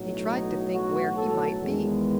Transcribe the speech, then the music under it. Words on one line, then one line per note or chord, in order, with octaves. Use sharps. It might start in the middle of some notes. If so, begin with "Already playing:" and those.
He tried to think where he might be.
Already playing: B1 A2 F#3
D#4
F#4
A4
E2 D#3 G#3 B3